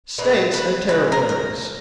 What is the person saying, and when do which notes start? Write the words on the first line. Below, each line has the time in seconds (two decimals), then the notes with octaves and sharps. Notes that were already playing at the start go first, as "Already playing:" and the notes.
States and Territories.
0.18 A#2 F3 G#3 B4
0.54 B4
0.88 C#3 G#3 B4
1.12 A#4
1.29 A#4